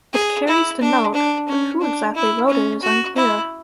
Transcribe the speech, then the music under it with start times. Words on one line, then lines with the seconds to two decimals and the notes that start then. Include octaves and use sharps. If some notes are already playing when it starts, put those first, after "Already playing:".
It carries the note but who exactly wrote it is unclear.
0.13 G#4
0.47 E4
0.81 D4
1.14 D4
1.48 C#4
1.81 D4
2.15 E4
2.49 C#4
2.82 F#4
3.16 E4